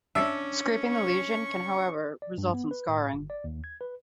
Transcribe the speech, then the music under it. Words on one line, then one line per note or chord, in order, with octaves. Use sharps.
Scraping the lesion can however result in scarring.
C#4 D4 E5
C#6
D5
G2
B3
B4
A2
G1
D5
D#2
G#6
B4